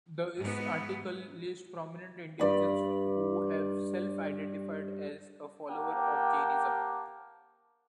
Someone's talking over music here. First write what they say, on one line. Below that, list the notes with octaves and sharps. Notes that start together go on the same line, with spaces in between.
This article lists prominent individuals who have self-identified as a follower of Jainism.
G#2 B3
G2 D5 B5
A#3 G4 F#5 G5 A5